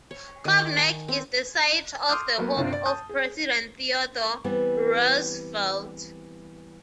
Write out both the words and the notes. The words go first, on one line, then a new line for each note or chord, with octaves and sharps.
Cove Neck is the site of the home of President Theodore Roosevelt.
C#5
D#3
G#5
C4
C6 D6 D#6 F6 G6
F#3 A#3 B3
G1 C3 C4 D4 F4
D5
A5 D#6 G6
G#4
E3 G3 B3 C4